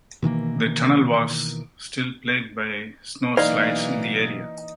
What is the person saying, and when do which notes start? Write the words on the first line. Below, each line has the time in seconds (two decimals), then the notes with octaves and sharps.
The tunnel was still plagued by snow slides in the area.
0.22 B2 D#3 E3 A#3
3.37 B1 E3 A#3 D#4 D5 F5